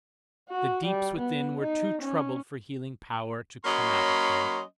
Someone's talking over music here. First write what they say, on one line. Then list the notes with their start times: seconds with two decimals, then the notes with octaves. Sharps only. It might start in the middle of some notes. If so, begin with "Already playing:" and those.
The deeps within were too troubled for healing power to come out of them.
0.50 F#4
0.84 G3
1.18 B3
1.61 D#4
2.02 C#4
3.65 F#3 A#3 C#4 D#5 B5 C6